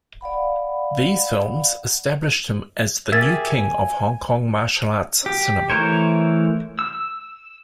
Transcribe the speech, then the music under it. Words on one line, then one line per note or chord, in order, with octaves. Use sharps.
These films established him as the "new king" of Hong Kong martial arts cinema.
D5 F5 F#5 B5
G4 G#4 A#4 E5 G#6 A6
G#5
G4
E3 A3 A#4 C5 C#5
E6